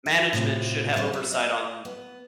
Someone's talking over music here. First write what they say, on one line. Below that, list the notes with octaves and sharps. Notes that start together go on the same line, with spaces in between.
Management should have oversight on
E5
A2 C3 F4 F#4
E4 F4 G#4 C5 D5
E5
D#5
B3